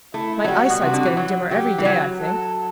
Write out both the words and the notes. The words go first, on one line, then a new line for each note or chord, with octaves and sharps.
My eyesight's getting dimmer every day, I think.
A3 E4
F#3
G3 F#4
B2
C3 F#4
D3
E3
F#3
F#3 G4
E3
F#3
A4